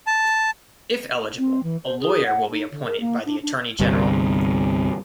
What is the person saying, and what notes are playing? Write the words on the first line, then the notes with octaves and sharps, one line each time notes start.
If eligible, a lawyer will be appointed by the attorney general.
A5
C4
E3
C5
G#4
F#5
D#4
D3
A#4
A#3
D4
D4
G1 C2 C3